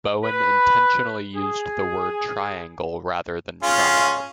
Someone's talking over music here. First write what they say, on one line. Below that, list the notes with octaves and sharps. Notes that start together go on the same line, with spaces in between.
Bowen intentionally used the word "triangle" rather than "triad".
B4
G#4
C#4 F4 G#4